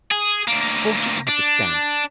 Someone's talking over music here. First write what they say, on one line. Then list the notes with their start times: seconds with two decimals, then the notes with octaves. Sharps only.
'Of course, you can have the stamp.
0.11 G#4
0.48 D2 A#3
1.28 D4